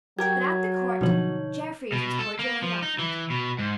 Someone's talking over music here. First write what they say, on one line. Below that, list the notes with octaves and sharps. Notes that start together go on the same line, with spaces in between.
But at the Court Jeffreys was cordially welcomed.
F#3 G4 A#4 G5 G#6
B2 D3 F3 D#4 C#5
B2
A4
A#3
F3
D#4
E3
B2
G#2